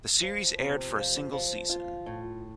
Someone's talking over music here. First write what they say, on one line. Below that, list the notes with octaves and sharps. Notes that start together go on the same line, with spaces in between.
The series aired for a single season.
F3
C3
F3
F3
F4
A2